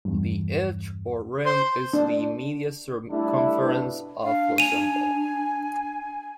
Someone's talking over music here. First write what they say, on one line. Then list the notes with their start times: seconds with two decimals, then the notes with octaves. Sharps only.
The edge or rim is the immediate circumference of the cymbal.
0.05 E2 G2
1.46 C5 C6
1.93 D4
3.10 G3 A3 D4 E4
3.62 G2 B2 D4 B4
4.23 D4 F5
4.58 G#5 D#7 F7